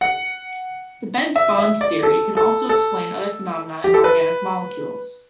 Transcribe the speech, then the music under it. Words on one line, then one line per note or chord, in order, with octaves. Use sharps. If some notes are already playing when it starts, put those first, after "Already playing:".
The bent bond theory can also explain other phenomena in organic molecules.
F#5
E5
E5
D5
A4
A4
A4
G4
A4
B4